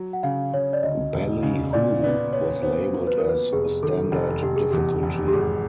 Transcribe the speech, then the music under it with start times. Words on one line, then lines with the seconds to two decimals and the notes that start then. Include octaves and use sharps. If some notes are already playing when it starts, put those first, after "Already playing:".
"Ballyhoo" was labeled as "Standard" difficulty.
Already playing: F#3
0.13 F#5
0.23 C#3 F5
0.53 C#3 C#5
0.73 D5
0.83 D2 D#5
1.14 E1
1.43 C#3
1.73 A#2 D5
2.02 B3 D5
2.33 B3 C#5
2.62 B3 C5
2.93 F#3
3.07 B4
3.18 A#4
3.23 B3
3.29 B4
3.53 F1 G#4
3.83 D#3 A4
4.12 F1 A4
4.43 F1 G4
4.56 G#4
4.71 E2 G4
5.03 F1
5.28 G4
5.32 G#1 G#4